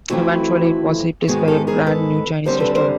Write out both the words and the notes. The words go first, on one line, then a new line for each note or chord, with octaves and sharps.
Eventually it was replaced by a brand new Chinese restaurant.
F2 C3 E3 A3 C4 E4 F#4
G#2 D#3 G#3 B3 F#4 G#4
G4 A4
G#4 A#4
A4 B4
F#2 D3 G3 C4 A#4 C5
A4 B4
A#4 C5